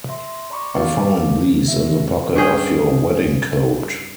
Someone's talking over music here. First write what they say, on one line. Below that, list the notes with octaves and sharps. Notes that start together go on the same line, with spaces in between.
I found these in the pocket of your wedding-coat.
E5 C6
D5 A#5 B5 C#6 D6
D#4 F#4 F5 D6
E5
G2 C#4 G#4 G5